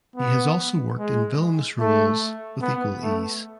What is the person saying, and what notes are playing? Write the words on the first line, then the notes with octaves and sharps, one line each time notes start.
He has also worked in villainous roles with equal ease.
B3
G#3
A3
B3
A3